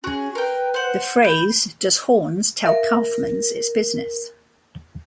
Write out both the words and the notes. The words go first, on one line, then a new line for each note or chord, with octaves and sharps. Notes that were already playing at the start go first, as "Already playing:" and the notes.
The phrase Does Horne's tell Kaufmann's its business?
C#4 F#4 G#4
A#4 B4 G5
C5 F#5
B5 G6
A#4 E5 F5